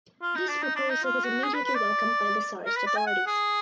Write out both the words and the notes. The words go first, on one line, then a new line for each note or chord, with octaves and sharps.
This proposal was immediately welcomed by the tsarist authorities.
F4
D#4
D4
D#4
D4
D#4
F4
F#4
G#4
B4
B4
D5
A#4
B4
D5
G#5
F#5
G#4